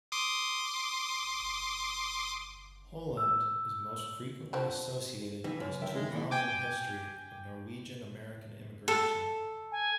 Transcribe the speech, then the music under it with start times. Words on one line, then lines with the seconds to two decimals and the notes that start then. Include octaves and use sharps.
Holand is most frequently associated with his two volume history of Norwegian-American immigration.
0.12 C6 D6 D#6
3.17 E6
4.53 D3 F3 C4 C5
5.44 F2 E3 G3 D#4
5.60 F#2 C#3
5.81 D3 F3 A#4 B4 E5 G5
5.94 G#3 E4
6.11 F#2 D#3 E3 A#3
6.31 G5 G#5 D6
8.88 A4
9.72 G#5